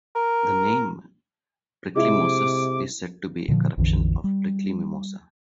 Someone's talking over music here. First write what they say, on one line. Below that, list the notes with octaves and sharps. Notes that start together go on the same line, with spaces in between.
The name "prickly moses" is said to be a corruption of "prickly mimosa".
A#4
C3 G#3 E4 D6
A#2 D3 E3 F3
A#1 F2 D3 E3
G3